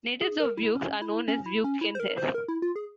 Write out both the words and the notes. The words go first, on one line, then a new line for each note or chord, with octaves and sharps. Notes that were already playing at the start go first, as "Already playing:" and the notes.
Natives of Vieques are known as Viequenses.
G#4
A#4
E4
C#4
E4
C#4
E4
C#4
E4
C5
A#4
C5
A#4
E4
F4
G#4